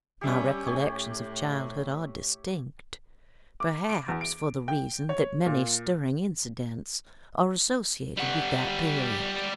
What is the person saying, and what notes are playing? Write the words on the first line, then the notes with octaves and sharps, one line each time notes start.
My recollections of childhood are distinct, perhaps for the reason that many stirring incidents are associated with that period.
G3 C#4 G4 E5
A2 G4 C#5
D6
D7
E2
D7
G5
C#5
A#2
G3 F#5